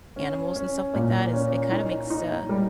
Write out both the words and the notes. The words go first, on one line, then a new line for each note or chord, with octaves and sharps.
animals and stuff like that is it kind of makes, uh,
C#4
C#4
A#2
C#4
D#4
D#4
G3